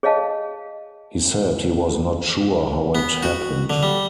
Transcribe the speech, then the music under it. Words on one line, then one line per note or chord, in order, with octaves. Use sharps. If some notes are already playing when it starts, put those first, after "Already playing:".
He said he was not sure how it happened.
G#4 C#5 D#5 F5 A5
B3
F#4
D3
G3